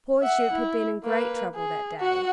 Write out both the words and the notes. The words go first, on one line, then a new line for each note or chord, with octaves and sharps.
Poor Jupe had been in great trouble that day.
E5 F#5
E4
A#3 B4
G#4
F#4 F#5